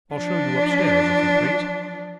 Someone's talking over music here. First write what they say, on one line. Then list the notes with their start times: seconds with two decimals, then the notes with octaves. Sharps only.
I'll show you upstairs, if you please.'
0.14 F3 D4